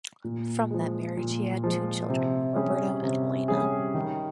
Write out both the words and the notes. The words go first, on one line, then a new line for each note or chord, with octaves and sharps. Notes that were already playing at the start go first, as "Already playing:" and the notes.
From that marriage, he had two children: Roberto and Elena.
A#2
F3 G#3
A#2
F3 G#3
C3
G3 C#4 G#4
C3
G3 C#4 G#4
D#3